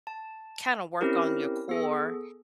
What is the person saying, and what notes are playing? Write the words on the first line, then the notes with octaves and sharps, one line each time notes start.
kinda work on your core,
A5
C4 C#4 E4 G4 A#4
B3 G#4 A4